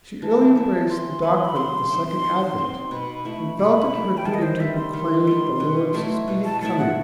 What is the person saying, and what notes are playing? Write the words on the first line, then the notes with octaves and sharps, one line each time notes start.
She early embraced the doctrine of the Second Advent, and felt it her duty to proclaim the Lord's speedy coming.
E3 A5
B3 E4
E3 C6
B3 E4 B5
C6
B5
F#3 C6
C4 D#4
F#3
C4 D#4
B2 B5
A3 E4
B2 B5
A3 E4
G5
D#3 A5
D#5
C5
G3 B3 E5
C6
D#3
G3 B3
B2
F#3 A3 E4
B2
A5
F#3 A3 E4 A5
F#5